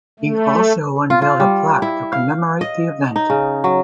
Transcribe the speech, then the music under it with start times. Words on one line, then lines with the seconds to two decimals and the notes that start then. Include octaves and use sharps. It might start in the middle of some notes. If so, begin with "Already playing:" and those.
He also unveiled a plaque to commemorate the event.
0.20 A3
1.10 F4
1.22 F4
1.40 G3
1.82 E4
2.12 F5
2.61 D#5
3.16 D#4
3.30 C#3
3.64 F#3